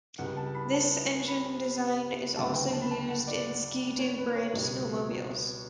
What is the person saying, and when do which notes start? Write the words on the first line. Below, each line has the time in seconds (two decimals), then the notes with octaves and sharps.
This engine design is also used in Ski-Doo brand snowmobiles.
0.18 C#2 C#3 G3 F#5
0.37 A5
0.55 B5
0.73 A5
1.28 B5
2.37 D2 C#3 F#3 A3 A5
2.54 G5
2.72 A5
2.82 B5
2.91 A5
3.08 F#5
3.27 D5
3.99 C#5
4.18 B4
4.36 C#5
4.54 C#2 B2 G3